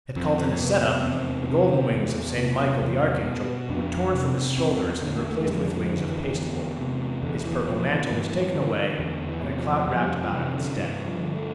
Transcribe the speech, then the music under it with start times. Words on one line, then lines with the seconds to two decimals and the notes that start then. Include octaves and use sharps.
At Caltanisetta the golden wings of St. Michael the Archangel were torn from his shoulders and replaced with wings of pasteboard; his purple mantle was taken away and a clout wrapt about him instead.
0.16 F2 C4
0.38 C4
0.61 C3 B3
0.83 B3
1.05 E2 C4
1.49 C3 C4
1.93 E2
2.37 C3
2.82 E2
3.25 B2
3.69 F2 D4
4.14 C3
4.58 E2 C4
5.02 D3
5.16 A3
5.46 F2 G3
5.55 F3
5.64 G3
5.75 F3
5.90 D3
6.05 E3
6.34 E2
6.79 C3
7.22 E2 D3
7.45 E3
7.67 B2 F3
7.89 E3
8.00 D3
8.11 G2 E3
8.55 D3
8.99 E2 D3
9.29 E3
9.44 C3
9.58 F3
9.87 F2 G3
9.95 F3
10.02 G3
10.24 F3
10.32 C3 E3
10.53 D3
10.75 G2 E3
11.05 F3
11.20 D3
11.35 A3